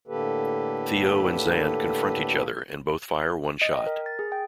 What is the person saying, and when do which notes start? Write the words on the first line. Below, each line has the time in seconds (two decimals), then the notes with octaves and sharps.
Theo and Xan confront each other and both fire one shot.
0.08 A2 D3 A#3 G4 A4 B4
3.62 D#5
3.73 G5
3.87 A#4
4.06 A6
4.19 G#4
4.32 G5